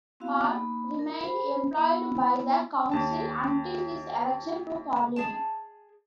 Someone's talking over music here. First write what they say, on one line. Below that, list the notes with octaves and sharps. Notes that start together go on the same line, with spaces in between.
Hall remained employed by the council until his election to Parliament.
B3 C4 E4 F#4 F5
A#3 D#4 B5
A#4
C5 B5
B3 E4 B5
D#2 A5
G#4 D5 A5